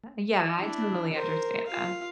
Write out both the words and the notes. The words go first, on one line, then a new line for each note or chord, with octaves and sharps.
Yea Yeah I totally understand that.
D4 E4
A#4 C5
F4 F5